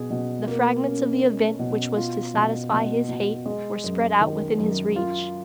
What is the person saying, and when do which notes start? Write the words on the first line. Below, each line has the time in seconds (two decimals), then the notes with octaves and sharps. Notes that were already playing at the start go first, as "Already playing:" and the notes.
The fragments of the event which was to satisfy his hate were spread out within his reach.
Already playing: B2 G#4
0.10 B2
0.47 A#3
0.86 C#4
1.22 C#4
1.59 B2
1.97 F4
2.34 B2
2.72 B2
3.09 B2
3.46 G#3
3.84 F#2
4.21 D#3
4.58 F#2
4.96 F4